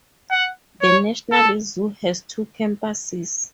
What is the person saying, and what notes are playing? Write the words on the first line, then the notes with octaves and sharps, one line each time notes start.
The National Zoo has two campuses.
F#5
C#5
A4